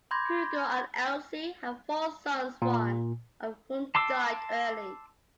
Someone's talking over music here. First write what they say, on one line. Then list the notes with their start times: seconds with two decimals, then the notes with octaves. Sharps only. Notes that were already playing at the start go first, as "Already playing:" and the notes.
Hugo and Else had four sons, one of whom died early.
0.11 B5 C6 D6 G6 G#6 A#6
2.62 A#2
3.95 A5 C6 D6 E6